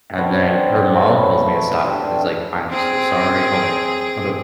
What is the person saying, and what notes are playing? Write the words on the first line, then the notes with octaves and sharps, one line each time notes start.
And then her mom pulls me aside and is like, "I'm so sorry" Hold on. Hold o
B3 C4 D4 F#4
A4 B4 C#5
A3
D4 G4 A5 C6
C4 G#4